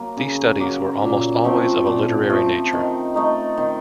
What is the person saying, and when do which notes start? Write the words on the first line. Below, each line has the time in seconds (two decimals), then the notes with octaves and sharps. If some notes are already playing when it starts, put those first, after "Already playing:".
These studies were almost always of a literary nature.
Already playing: F#3 A#3
0.17 C#3
0.59 F#3 A#3
1.02 A#2
1.44 F3 A3 C4
1.86 A#2
2.30 F3 A3 C4
2.73 D#3
3.14 A3 D#4 A#4
3.57 D#3